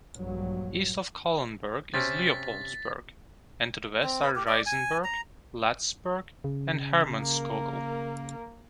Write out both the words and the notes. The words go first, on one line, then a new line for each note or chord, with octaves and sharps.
East of Kahlenberg is Leopoldsberg; and to the west are Reisenberg, Latisberg, and Hermannskogel.
A#1 G2 F#3
C3 C4 C#4 A6 B6
C4
B4
G4
D5
G#5
A#5
C#3
A#3 A#4